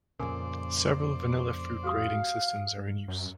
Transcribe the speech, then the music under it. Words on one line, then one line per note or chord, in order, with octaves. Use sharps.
Several vanilla fruit grading systems are in use.
F2 A#2 C#3 A#4 C5 D5 G#5
F#4 G4 F5 D#6
F#2